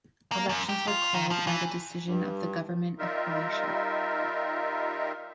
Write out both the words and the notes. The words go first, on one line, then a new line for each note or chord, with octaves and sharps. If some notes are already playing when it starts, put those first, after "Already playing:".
Elections were called by the decision of the Government of Croatia.
A#3
F#2
G4
F4
D#3
F3
E3
G2
G3 D#4 F4 A#4 E5